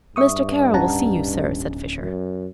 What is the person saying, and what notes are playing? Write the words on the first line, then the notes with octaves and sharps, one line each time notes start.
"Mr. Kara will see you, sir," said Fisher.
G2 E5 C#6 D#6
D1 C#4 F#5 A5 A#5
F#2